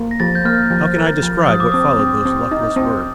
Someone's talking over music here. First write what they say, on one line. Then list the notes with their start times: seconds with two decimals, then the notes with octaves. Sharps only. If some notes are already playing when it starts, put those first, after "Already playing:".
How can I describe what followed those luckless words?
Already playing: A#3
0.11 A#6
0.20 F3 A6
0.35 G6
0.45 A#3 F6
0.71 F3
0.96 A#4
1.22 F3
1.48 F3 D#6
1.60 D6
1.72 C4 D#6
1.99 C4
2.25 C4
2.51 D#4
2.76 C4